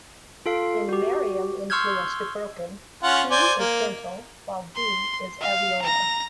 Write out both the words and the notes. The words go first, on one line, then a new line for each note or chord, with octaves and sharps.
In Meriam influenced Broken, t is dental, while d is alveolar.
F4 A4 F5
F#4 G4
C6 C#6 E6 F6 G6 G#6
C#4 F4 F#5
C5 D5 G#5
A#3
C6
F5
A#5 A#6